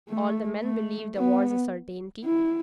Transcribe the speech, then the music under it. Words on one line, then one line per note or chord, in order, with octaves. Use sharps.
All the men believe the war's a certainty.'
A3
A3
B3
E4